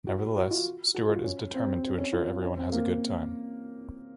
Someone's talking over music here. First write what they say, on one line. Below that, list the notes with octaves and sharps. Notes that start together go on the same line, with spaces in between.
Nevertheless, Stuart is determined to ensure everyone has a good time.
F#4
F#4
F4
F#4
F4
C#4
C4
C4
C#4
F4
C#4
C4
A#3